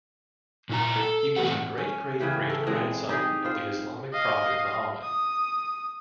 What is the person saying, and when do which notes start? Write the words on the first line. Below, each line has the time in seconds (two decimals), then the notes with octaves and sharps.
He was the great-great-great grandson of the Islamic Prophet Mohammed.
0.69 A#2 E4 A#5
0.96 A4
1.36 A2 E3 A3 C4 F#5
1.78 C#4
2.20 C#3 E3 G4
2.50 A4
2.66 E3 G#3 C4 G#4
3.09 D#4 G4 G#4
3.45 F4 C5
4.13 D#5 F5
5.02 D#6